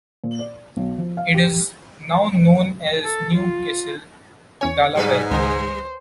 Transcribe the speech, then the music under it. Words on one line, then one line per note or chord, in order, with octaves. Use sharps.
It is now known as New Castle, Delaware.
A#2
D5
B1
F3
F5
G4
A4
F4
E2 C#4 C#5 G#5
G#2 B2 F#3 B4
C#2 D#3 G3 C5